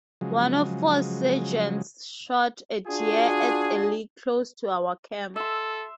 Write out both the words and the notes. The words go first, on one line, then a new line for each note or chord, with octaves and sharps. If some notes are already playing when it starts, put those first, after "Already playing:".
One of our sergeants shot a deer at a lick close to our camp.
C#3 F3 F#3 G#3
D4 F4 F#4 G#4
A4 E5 C6